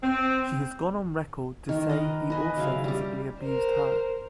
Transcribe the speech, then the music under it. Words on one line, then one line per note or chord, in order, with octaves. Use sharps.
She has gone on record to say he also physically abused her.
C4
D#3
A#4 B4 D#5
B4 D#5 G#5
C#3 F#3 E5 F5
G3 G4
A#4 C5